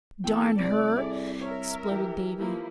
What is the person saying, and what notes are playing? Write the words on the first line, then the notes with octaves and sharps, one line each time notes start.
"Darn her," exploded Davy.
E2 A4 G5
C2 C3 D5
E4 G#4 A4
A#4 C#5 E5
E3 G4
F3 A#3 E4